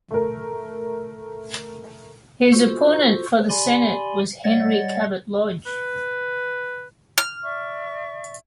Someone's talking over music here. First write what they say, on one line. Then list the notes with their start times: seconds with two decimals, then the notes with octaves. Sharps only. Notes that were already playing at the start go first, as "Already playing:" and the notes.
His opponent for the Senate was Henry Cabot Lodge.
0.11 A3 A#4
2.53 F4 F#4 A4 C5
3.49 G4 D5 G#5 B5 C6
4.44 G3 C#5 D#5 F#5 A6
5.66 B4
7.18 F6
7.43 D5 E5 C#6